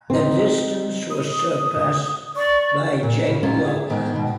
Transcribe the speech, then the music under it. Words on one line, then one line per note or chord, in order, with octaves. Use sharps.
The distance was surpassed by Jake Lock.
C4 D#4
D#6
D5 C#6
A#2
C#3
D2 G#2 C#4 F4 G4 A#5
G#4 E5
G#2 D#3 B3
G#2 B2